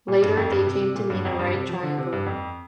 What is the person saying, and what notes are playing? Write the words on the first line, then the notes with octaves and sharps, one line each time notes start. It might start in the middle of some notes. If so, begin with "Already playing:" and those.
Later, they came to mean a right triangle.
A#2
G2
F2
G2
C3
C3
A#2
G2
F2
G2
C3
F3
D3
C3
G2
F2